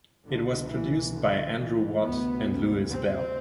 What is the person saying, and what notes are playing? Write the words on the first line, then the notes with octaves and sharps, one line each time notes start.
It was produced by Andrew Watt and Louis Bell.
C2 B2 D3
E3
D3
E3
D2 C3 B3
C4